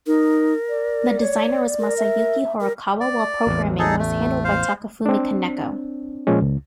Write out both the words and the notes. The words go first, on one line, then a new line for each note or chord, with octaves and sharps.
The designer was Masayuki Horikawa, while programming was handled by Takafumi Kaneko.
D#4 A#4
D5
C#5
A#4
E5
A#4
D5
A1 E2
D#4 G#4 A4
A3
C5 F5
C4 D4
A#2 F3 G#3 C#4
C#2